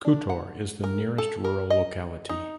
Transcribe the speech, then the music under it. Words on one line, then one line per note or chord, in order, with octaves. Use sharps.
Khutor is the nearest rural locality.
D4
F#5
A#4
A4
A#4
D#5
D#4